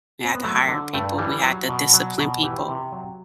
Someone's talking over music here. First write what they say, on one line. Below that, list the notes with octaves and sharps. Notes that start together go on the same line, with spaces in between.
we had to hire people, we had to discipline people,
C4
B3
F#3 A3
D3
G2 A3
E3 G3
F#3
B2
F#3
B2
E3 G4
C3
F#3